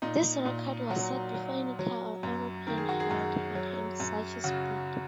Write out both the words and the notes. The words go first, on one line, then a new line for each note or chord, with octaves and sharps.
This record was set before any car or aeroplane had attained such a speed.
A#2 D#4
A#2
F#3 F#4
F#3
F#3
F#2
D#3 A#4
G#4
F#4
G#4
F#2
F#3
F#2
C#3 F#4